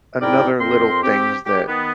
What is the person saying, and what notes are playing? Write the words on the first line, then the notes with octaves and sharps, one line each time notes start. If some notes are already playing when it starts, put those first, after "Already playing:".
another little things that
G#2 C4 E4 A#4 D5 G5
F2 C4 A#4 C5 C6
C4 G4
G4
D#3 B3